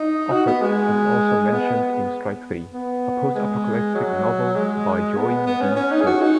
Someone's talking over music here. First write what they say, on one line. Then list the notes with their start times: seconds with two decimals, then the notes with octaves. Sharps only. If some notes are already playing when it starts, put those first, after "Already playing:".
Offutt is also mentioned in Strike Three, a post-apocalyptic novel, by Joy V. Smith.
Already playing: D#4
0.31 F#4
0.47 B3
0.62 G#3
1.53 B3
2.74 B3
3.34 G#3
3.95 F#3
4.55 G#3
5.16 B3
5.46 B3
5.61 C#4
5.76 C#4
5.92 D#4
6.01 G#4
6.07 F#4
6.21 D#4